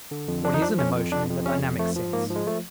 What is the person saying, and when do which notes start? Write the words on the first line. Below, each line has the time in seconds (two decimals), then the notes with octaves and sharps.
What is an emotion in the dynamic sense?
0.11 D3
0.28 F2
0.45 F3 D4
0.54 D#4
0.62 F3 D4
0.79 F2 C#4
0.95 F2
1.12 F2 D4
1.29 F2
1.46 C3 C#4
1.62 F2
1.79 F3 A3
1.96 F3
2.13 G#2 A#3
2.30 F3
2.36 G#3
2.46 F3 A3